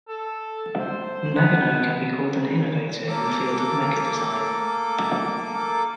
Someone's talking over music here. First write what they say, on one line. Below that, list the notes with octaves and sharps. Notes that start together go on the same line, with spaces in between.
Nagano can be called an innovator in the field of mecha design.
A4
C5
B3
A#3 A4 D6